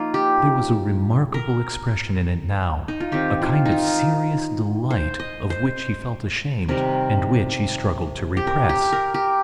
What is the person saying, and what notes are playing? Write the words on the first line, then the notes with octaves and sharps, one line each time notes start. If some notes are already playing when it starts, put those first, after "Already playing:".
There was a remarkable expression in it now; a kind of serious delight of which he felt ashamed, and which he struggled to repress.
Already playing: F3 A#3 D#4 F4
G4
A#4
D#4
F4
D#3 C4 G4
F4
D#4
F4
C5
D#5
C5
C3 D#3 G3 A#4
G4
A#4
G4
A#4
G4